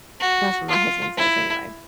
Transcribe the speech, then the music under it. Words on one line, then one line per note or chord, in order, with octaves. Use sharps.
that's what my husband says anyway-
F#4
F4
E4